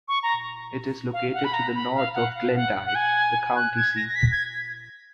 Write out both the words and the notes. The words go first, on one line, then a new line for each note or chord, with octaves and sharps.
It is located to the north of Glendive, the county seat.
C#6
A#5
F5
F#5
B5
A#5
B5
F5
F#5
F5
F#5
F#5
G#5
F#6
G#6
A#6
A#6
B6
G#6